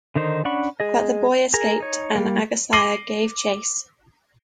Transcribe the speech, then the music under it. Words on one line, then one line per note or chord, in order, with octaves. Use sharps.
But the boy escaped and Agasthya gave chase.
D3 D#3 D#4 C5
C#4 D4 F#5 B5 C#6
G#3 G#4 D#5
G#4 A#4 A#5
D#4 C#5
G3 A#3
D6 A#6 C7 D#7 F#7 G7